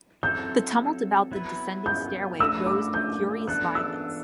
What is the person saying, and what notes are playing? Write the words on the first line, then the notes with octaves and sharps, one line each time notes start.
The tumult about the descending stairway rose to furious violence.
F#3 C4 E4 A4 G6
F#3 B3 E4 B4
G6
A3 D4 F#4 B4 E6
D6
G6
E3 B3 D4 A4 F#6
E6